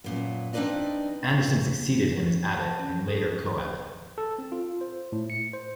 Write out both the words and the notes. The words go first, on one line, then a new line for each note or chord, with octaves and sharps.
Anderson succeeded him as abbot, and later co-abbot.
F#2 A#2 B3
C4 D4 D#4 B4 D5 D#5
A5
C#4
A4
A4
C4
F4
C5
A2
C#7
C5